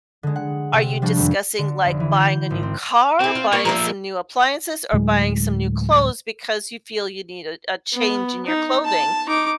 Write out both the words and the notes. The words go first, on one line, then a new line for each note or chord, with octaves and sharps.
are you discussing, like, buying a new car, buying some new appliances, or buying some new clothes, because you feel you need a a change in your clothing?
D3 G#3
F#5
C3
F3 G3 D4 F#4
F2 D#3 G#3
D3
F1
E3
G6
G#1
C4
A3 C4 E4
F4
A#3 C#5
F3 A#3 A#4 C5 E5
D2 A2 F#3 G#3
B3
D#4
A5
D#4 D6